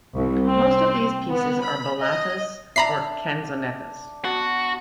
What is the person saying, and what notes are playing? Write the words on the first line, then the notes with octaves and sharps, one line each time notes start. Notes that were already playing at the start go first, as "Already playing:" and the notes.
Most of these pieces are ballatas or canzonettas.
C2
C4
B3
B5
D#5
D4 E5 A#5 B5 C7
B3 F#4 A5